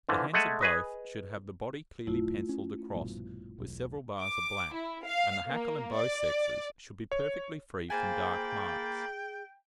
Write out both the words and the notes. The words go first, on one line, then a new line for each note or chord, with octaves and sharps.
The hens of both should have the body clearly pencilled across with several bars of black, and the hackle in both, sexes should be perfectly free from dark marks.
D3 E3 F3
G#3 A3 F#5 G#5 A5
G#4 B4 D#5
A#1 F#2 A3 E4 F4
C#4
A#1 G2 B2
E1 B1
D6
E4
F5
A#3
D5
C#5
A#3 F4 G#4 C5 G5 G#5 B5 A6